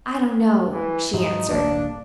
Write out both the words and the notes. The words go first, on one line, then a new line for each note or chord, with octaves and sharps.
"I don't know," she answered.
E3
G#2 F3 F#3 D#4
D#1 G#1 A#3 D4